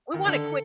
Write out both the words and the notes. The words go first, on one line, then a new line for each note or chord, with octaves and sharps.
We want it quick
D#3
D3 A4